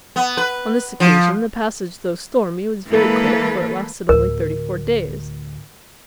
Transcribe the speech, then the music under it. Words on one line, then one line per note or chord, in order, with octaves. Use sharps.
On this occasion the passage though stormy was very quick, for it lasted only thirty-four days.
B3
B4
F3
E3 G#3 A#3 A4 B4
D2 A2 A#4